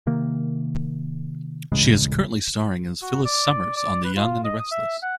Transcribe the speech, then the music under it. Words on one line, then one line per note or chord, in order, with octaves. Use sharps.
She is currently starring as Phyllis Summers on "The Young and the Restless".
C3 D#3 A#3
D#1 A1 C#3 G#3
F#4
D5
D5
B4
F4
D#5
D#6
E5
F#5